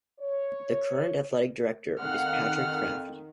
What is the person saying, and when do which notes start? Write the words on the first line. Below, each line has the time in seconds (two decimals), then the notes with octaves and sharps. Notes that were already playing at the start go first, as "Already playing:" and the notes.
The current athletic director is Patrick Kraft.
0.19 C#5
2.00 F2 D#3 F5 F#5 F6